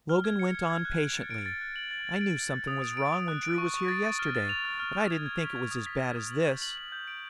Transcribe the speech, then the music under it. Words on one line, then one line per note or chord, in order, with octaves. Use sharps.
Logan went on patiently: "I knew something was wrong when Drew was here yesterday but I didn't think it was as bad as this."
F6
G#6
C#7
G#6
G#6
F#6
D7
A6
D7
A6
F#6
F#7
A6
A6
D7
A6
A6
D#6
D7
D7
D#6
F#6
D7
C#6
C#6
A6
C#6
F6
A6
F7
F6
F6
F7
G#6
G#6
B6
G#6
D#6
B6
G#6
D#6
F#7
G6
F#7
F#7
G6
D7